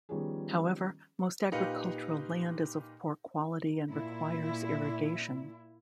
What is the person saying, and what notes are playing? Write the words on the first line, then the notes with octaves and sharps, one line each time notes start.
However, most agricultural land is of poor quality and requires irrigation.
D#3 F3 G3 B3 C#4 G#4
A#2 D#4 G4 B4 F5 C#7
A#2 E4